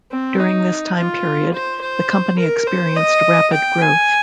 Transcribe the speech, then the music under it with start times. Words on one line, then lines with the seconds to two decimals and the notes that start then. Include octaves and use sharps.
During this time period, the company experienced rapid growth.
0.11 C4
0.40 D#4
0.96 F4
1.54 C5
1.82 C5
2.39 A#4
2.67 C5
2.96 D#5
3.53 G5
3.82 G#5